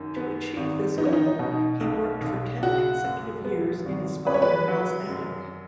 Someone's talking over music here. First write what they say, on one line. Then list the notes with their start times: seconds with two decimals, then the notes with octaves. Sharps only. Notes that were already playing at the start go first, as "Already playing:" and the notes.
To achieve this goal, he worked for ten consecutive years in his father-in-law's attic.
Already playing: F#2 D#3
0.16 B3
0.57 G#1
0.98 B3 D#4
1.05 C#4
1.13 D#4
1.39 B2
1.80 B1
2.22 B1
2.62 C#3 F#4
3.04 F#2
3.45 B3
3.85 G#1
4.27 C#4 B4
4.34 C#5
4.42 B4
4.68 F#3
5.09 F#2